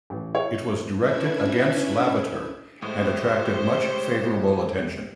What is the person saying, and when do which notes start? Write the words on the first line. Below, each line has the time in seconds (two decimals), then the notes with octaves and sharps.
It was directed against Lavater, and attracted much favorable attention.
0.10 A1
0.35 C#5
0.98 C#4 D4 E4 B4 E5 G#6
2.82 A2 G#3 G4 C5 C#5